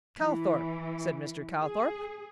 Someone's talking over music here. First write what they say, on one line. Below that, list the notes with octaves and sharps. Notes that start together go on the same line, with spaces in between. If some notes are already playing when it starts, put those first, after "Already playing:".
"Calthorp," said Mr. Calthorp.
E3
G#4